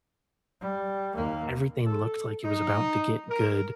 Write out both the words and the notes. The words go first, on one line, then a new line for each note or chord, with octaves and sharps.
everything looked like it was about to get good,
G3
D#2 A#3
A4
D#4
A#4